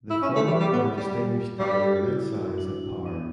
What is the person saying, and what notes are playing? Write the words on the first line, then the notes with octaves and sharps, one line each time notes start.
The former are distinguished by their immense size and power.
E4 G4
C#4
A3
G3
G3
B3
G3
G3
G3 G4
A4
G4
F#4
E4
F#4
D4
B3